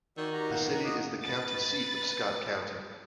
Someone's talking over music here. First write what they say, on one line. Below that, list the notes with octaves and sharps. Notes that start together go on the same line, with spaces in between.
The city is the county seat of Scott County.
D#3 F#4 D5 E6
F#4 G4 A#5
B3 F5 F#5
F#5 A#5
D#4 F#4 D6
B4 A6